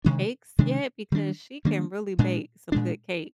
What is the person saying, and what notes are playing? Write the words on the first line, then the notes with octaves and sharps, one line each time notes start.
cakes yet because she can really bake some good cakes."
C3 D#3 G#3 D4
C3 D#3 G#3 D4
D#3 G3 A#3 D4
D#3 G3 A#3 D4
A#2 G#3 D4
A#2 G#3 D4